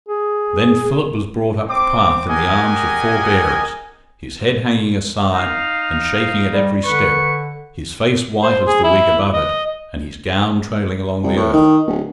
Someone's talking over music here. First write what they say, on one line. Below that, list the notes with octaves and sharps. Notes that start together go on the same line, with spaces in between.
And then Philip was brought up the path in the arms of four bearers, his head hanging aside and shaking at every step, his face white as the wig above it, and his gown trailing along the earth.
G#4
C4 D6
G4 G#4 A#4 D#5 F#5 G#5
D#4 F5
G3
D3 B4 C#6
C5
G#4
E4
D#5
C2
A2
D#3
D1